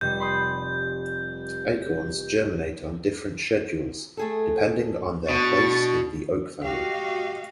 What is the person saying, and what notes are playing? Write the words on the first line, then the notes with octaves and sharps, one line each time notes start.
Acorns germinate on different schedules, depending on their place in the oak family.
F1 G3 G6
B5 C6 D#6
A3 G#4 A4
B2 D4 C#6 A6
F#4 G4 D#5 F5